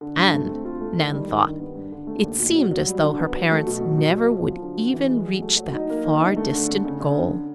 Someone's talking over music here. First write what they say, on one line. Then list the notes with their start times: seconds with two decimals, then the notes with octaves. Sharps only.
And, Nan thought, it seemed as though her parents never would even reach that far distant goal.
0.01 D3
0.17 G2
0.33 A3
0.48 C4
0.65 F4
0.81 A3
0.97 D#3
1.12 G3
1.28 D#3
1.44 G2
1.60 B3
1.75 G2
1.92 D3
2.07 A3
2.24 D#2
2.39 B2
2.55 F#3
2.71 F#3
2.87 G3
3.02 D3
3.19 B3
3.35 F#3
3.51 A3
3.67 B2
3.82 F#3
3.98 B2
4.14 F#3
4.30 F3
4.46 F3
4.62 D3
4.77 F#4
4.94 E3
5.10 G#3
5.26 F#3
5.42 A3
5.57 F#3
5.74 D#4
5.90 A#3
6.05 D#4
6.20 D3
6.36 A3
6.53 D3
6.69 C#3
6.85 C#3
7.01 C#3
7.16 D3